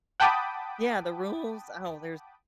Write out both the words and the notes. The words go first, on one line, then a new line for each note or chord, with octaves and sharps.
Yeah, the rules? Oh, there's
F#5 G5 A5 B5 D6 D#6